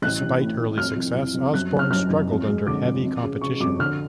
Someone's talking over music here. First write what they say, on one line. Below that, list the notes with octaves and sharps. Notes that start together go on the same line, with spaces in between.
Despite early success, Osborne struggled under heavy competition.
A1 F#6
A1
A2
A2
F2 F6
F2
F2
F2
F#2 F#6
F#1
F6
F#2 F6
F#1
F2
G#3
D3 D6
F2
F2
C#3
C#3 C#6
F2 D6
D3 F6